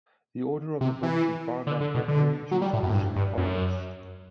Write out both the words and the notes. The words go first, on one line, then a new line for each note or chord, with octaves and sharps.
The order of the books is bound up with early Jewish-Christian polemics.
C3
E3
D3
D3
B2
D3
F#3
G3
A2
F#2
A2
G2
G2
F#2